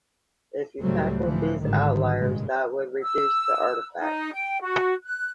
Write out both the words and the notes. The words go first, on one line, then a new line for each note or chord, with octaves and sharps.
If you tackled these outliers that would reduce the artifacts.
C#2 A2 F#3 G3 A3 C4
A2 D3 E3 F3
G#1 D3 D#3 G3
G2 A#2 C#3 G#3
E6
D#4
G5
F#4
F#6